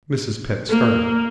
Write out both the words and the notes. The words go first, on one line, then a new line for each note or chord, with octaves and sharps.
Mrs. Pett started.
A#3